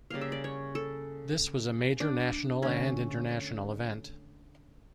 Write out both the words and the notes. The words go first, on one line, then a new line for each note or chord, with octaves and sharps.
This was a major national and international event.
C#3 G3 A#3 F5
E5
D5
C#5
A4
D4
D3 A3 C#4